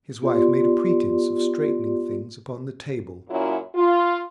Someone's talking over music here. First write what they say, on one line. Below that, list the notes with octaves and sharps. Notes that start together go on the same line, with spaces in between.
His wife made a pretence of straightening things upon the table.
B3 F4 G4 D5 C6
F#2 A#2 F#3 C#4 E4
F4